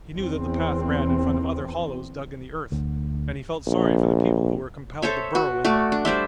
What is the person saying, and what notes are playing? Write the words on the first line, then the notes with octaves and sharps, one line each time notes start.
He knew that the path ran in front of other hollows dug in the earth, and he felt sorry for the people who were compelled to burrow in them.
E2 C4
D2
A#1
A4 C5 C#5 E5
F#4
A3 F#4 D5
D4
G3 C5 D5 E5